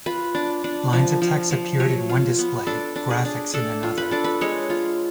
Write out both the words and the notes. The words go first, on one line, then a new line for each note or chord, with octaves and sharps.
Lines of text appeared in one display, graphics in another.
F4 B4
D4
D4
F3
F3
F3
F#3 C#5
F4
B3
D4 A4
D4
G#4
D4
D4 A4
F4
B4
D4 A4
B4
G#3 C#5
F4